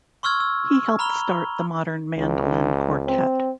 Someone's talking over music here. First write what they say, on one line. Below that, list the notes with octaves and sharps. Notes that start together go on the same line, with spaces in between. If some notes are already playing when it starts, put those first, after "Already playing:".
He helped start the Modern Mandolin Quartet.
C6 C#6 E6 F6 G#6
E6
A#5 B5 F6 F7 G7
C#2
C4